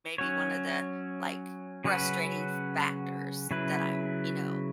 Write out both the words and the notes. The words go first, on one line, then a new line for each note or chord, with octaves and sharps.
maybe one of the, like, frustrating factors that I'm, you know,
F#3 C#4 F#4 C#5
C#3 F#3 C#4 F#4 B4
C#3 F#3 E4 B4